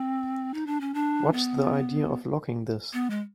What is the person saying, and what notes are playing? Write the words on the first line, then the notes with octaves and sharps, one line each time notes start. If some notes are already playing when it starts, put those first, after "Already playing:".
What's the idea of locking this?
Already playing: C4
D#4
D4
C#4
D4
B3
B3
G#3